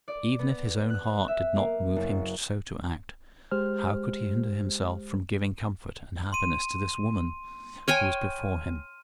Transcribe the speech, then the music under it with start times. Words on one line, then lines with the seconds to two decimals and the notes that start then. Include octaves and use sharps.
Even if his own heart did not move him so to act, how could he hinder himself from giving comfort and happiness to this woman who was before him?
0.08 D5
0.39 B3
0.90 F#6
1.28 E5
1.56 A#3
1.96 F#1
3.51 G#3 G4 C5 F6
6.33 C6 D#7
7.88 C#5 G5 G#5 F6 D#7